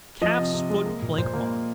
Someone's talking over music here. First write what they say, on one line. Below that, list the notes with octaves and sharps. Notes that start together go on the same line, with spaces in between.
Calf's Foot Blancmange.
F3 D#5
C3
C3
G#3
A#3
A#2
A#2 C5
A#3